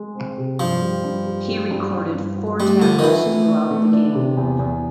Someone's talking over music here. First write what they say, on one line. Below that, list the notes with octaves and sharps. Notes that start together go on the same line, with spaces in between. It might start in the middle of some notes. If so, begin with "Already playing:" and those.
He recorded four tackles throughout the game.
Already playing: G#3
C4
C3
G2 F3
G3
G2
G3
G3
G2
G2
G2
F#4
G3 A3
D3 F3
D#3
E3 F3
A3
D4
A3
D4
C3
E2
E2